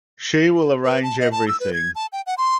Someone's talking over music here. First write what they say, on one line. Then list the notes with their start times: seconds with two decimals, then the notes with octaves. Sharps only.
She will arrange everything.
0.84 B4
1.03 A5
1.20 D#5
1.31 A5
1.48 E6
1.60 B4
1.73 G#6
1.95 A5
2.13 G5
2.26 F#5
2.38 C6